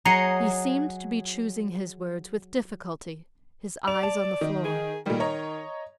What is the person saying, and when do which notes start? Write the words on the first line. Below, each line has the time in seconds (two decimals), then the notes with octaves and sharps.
He seemed to be choosing his words with difficulty, his eyes on the floor.
0.05 F#3 G#4 D#5 A#5 C7 C#7
3.88 D5 F7
4.03 A5
4.41 D#3
4.65 G#4
5.06 A#2 D#3 G3
5.20 C#5 D#5 A#5